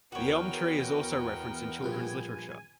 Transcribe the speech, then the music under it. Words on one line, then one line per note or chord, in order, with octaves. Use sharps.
The Elm Tree is also referenced in children's literature.
E2 B3 F#4 A#4 C#5 G5
A#1 G2 A#2 G#5